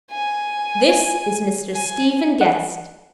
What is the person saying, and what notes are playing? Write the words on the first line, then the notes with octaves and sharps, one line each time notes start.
"This is Mr. Stephen Guest."
G#5
G#5
F#5